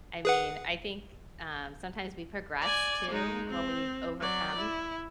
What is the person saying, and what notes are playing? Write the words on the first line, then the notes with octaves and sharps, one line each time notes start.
I mean, I think, um, sometimes we progress too when we overcome,
G#4 B4 F#5
D5 G#5
G#3 D#4
C4
F#3 D5
E4